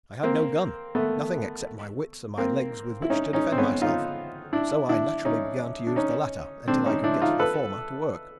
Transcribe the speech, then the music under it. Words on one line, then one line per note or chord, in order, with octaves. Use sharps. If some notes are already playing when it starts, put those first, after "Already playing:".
I had no gun; nothing except my wits and my legs with which to defend myself, so I naturally began to use the latter until I could get the former to work.
A#3 C4
A3 B3
A#3 C4
E4
C#4 D#4
C#4 D#4
C4
B3 C#4
D#4 F4
D4 E4
D4 E4
C#4 D#4
D4
C#4 D#4
C4 D4
C#4 D#4
D4 E4
D#4 F4
A4 B4